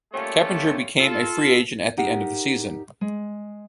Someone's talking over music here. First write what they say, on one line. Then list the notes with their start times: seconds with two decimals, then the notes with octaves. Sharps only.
Keppinger became a free-agent at the end of the season.
0.12 G3 A3 A#3 C#4 F4 A4
0.98 F4 A4
1.97 D#4 G4 A#4 D5 F#5
3.01 G#3